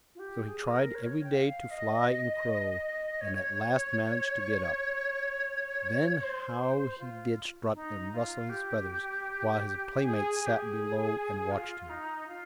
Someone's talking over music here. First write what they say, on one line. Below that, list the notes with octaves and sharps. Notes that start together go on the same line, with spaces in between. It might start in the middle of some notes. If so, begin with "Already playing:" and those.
So he tried every day to fly and crow, and at last managed to get up; then how he did strut and rustle his feathers, while his playmates sat below and watched him.
F4
G4
G#4
A#4
C#5
G5
F5
D#5
C#5
C5
F4
D#4
F4
G4
G#4
G#4
G4
G#4
F4
D#4
F4